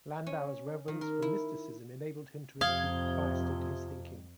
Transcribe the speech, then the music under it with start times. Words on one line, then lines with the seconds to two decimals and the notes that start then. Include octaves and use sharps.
Landauer's reverence for mysticism enabled him to include Christ into his thinking.
0.27 C#4
0.88 D#3
1.01 A#4
1.22 E4
2.61 F2 C3 F3 F5 D#6 G#6 G7